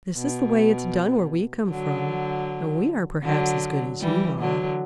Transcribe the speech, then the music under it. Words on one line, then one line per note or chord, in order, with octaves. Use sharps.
"This is the way it's done where we come from, and we are perhaps as good as you are."
B2
D3 F#3
D3 F#3
E3 G3
D3 F#3